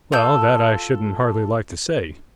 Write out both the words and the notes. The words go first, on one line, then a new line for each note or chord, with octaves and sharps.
'Well, that I shouldn't hardly like to say.
F4 A4 G6